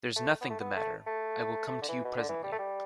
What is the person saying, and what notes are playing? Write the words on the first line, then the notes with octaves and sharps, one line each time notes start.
There's nothing the matter; I will come to you presently.
A3
B3
A3
B3
A3
A3
A3
D3
E3
B2
D3
E3
G3
A3
G3